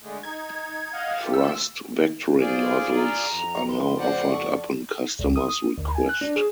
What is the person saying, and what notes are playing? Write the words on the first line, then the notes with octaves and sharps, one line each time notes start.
Thrust vectoring nozzles are now offered upon customer's request.
D3 G#3 A3
D#4 G#6
D#5 F5 F#5
F4 G4 A4
E6
F4 G#4 C5 D5
A#5
F2
B4 C6
F#4 C5 D5 F#5
A4 C#6
C#2
D#6
D#6
D2
G#5
F#6
D4
G#4